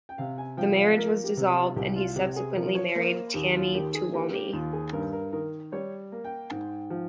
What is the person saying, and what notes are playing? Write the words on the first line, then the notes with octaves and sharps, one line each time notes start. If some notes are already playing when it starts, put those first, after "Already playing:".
The marriage was dissolved and he subsequently married Tammy Twomey.
G5
C3 F5
G#5
F3 G5
F5
A#3 A#4
G4
C3
F4
C2 G4
F4
C3 G4
G#4
F3 A#4
C#5
A#3 C5
D#2 G4
F4
D#3 G4
G#4
A#3 G4
G4
D#2 F4
G#4
G2 A#4
A#4
D#3 A#4
G3 C#5
A#3
G5
G#2
F3